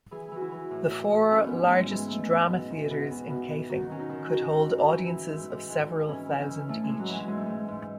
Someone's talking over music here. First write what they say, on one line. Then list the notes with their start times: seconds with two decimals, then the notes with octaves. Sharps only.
The four largest drama theatres in Kaifeng could hold audiences of several thousand each.
0.11 E3 G#4
0.32 E3 F#4
0.41 E4
0.52 E3
0.71 A2
0.91 A2
1.12 A2
1.31 G#2 C#4
1.46 B3
1.51 G#2
1.61 A3
1.71 G#2 G#3
1.91 E3 G#3
2.11 E3 A3
2.30 G#2 B3
2.50 B2
2.70 E2
2.90 B2
3.11 E2
3.30 B2
3.50 B2
3.70 D#3 F#4
3.90 D#3 C#4
4.00 D#4
4.09 D#3
4.29 D#3 F#4
4.50 G#2
4.70 D#3
4.89 E3
5.10 E3
5.29 G#2
5.50 G#2
5.69 G#2
5.79 D#4
5.89 G#2
6.09 E3 C#4
6.29 E3
6.39 C#4
6.49 E3
6.69 A2 A3
6.84 A2 G#3
6.99 F#3
7.08 E3
7.14 G#3
7.28 G#2 G#3
7.37 A3
7.46 G#2 G#3
7.68 G#2